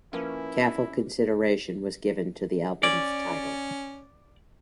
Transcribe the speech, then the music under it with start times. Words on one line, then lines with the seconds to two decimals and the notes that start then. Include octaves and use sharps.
Careful consideration was given to the album's title.
0.13 F3 A#3 C#4 E4 B4
2.83 C#4 D5